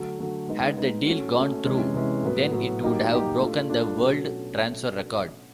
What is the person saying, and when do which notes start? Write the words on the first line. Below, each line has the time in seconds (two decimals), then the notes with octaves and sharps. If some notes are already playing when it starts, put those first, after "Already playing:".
Had the deal gone through, then it would have broken the world transfer record.
Already playing: D3 F#3 A3
0.19 D3 F#3 A3
0.48 G#3 B3 D#4
0.77 G#3 B3 D#4
1.06 A3 C#4 F#4
1.35 A3 C#4 F#4
1.64 C3 E3 G#3 C#4
1.94 C3 E3 G#3 C#4
2.23 A2 F#3 B3
2.52 A2 F#3 B3
2.81 F#3 A#3 D#4 G4
3.10 F#3 A#3 D#4 G4
3.40 A3 D4 F4
3.69 A3 D4 F4
3.98 B2 F#3 A3 C#4